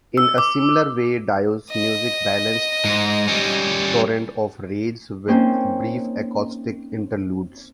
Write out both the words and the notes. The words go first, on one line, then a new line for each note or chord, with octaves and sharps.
In a similar way, Dio's music balanced torrents of rage with brief acoustic interludes.
E6
D6
D#5
G#2
G3 C#4
A#3 C4 C#4 D#4 C5 G5